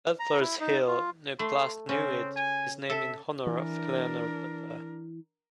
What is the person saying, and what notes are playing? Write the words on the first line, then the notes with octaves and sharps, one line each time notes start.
Butler's Hill, near Plas Newydd, is named in honour of Eleanor Butler.
A#5
E4
D#4
F4
A3 C6
C#3 C4 C#4
G#5
A4 E5
E3 D4 A#4